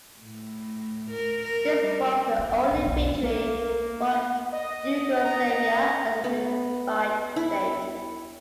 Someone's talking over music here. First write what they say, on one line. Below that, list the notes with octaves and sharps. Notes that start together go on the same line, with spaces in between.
This was the only victory for Yugoslavia as a unified state.
A2
A#4
A#4
G3
F4
B3
A#1
B1 F2
A#3
D#5
A#5
B3
E4